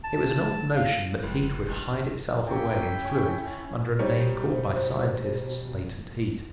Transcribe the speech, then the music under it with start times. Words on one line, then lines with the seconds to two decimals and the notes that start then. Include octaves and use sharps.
It was an old notion that heat would hide itself away in fluids under a name called by scientists latent heat.
0.04 A5
0.75 F5
1.23 F1 C#2 E3
1.68 A1 G2
2.47 C#3 A#3 E4 G5 C#6
3.04 C#4 C#5 G#5
3.99 B2 G3 D#4 C5 C#5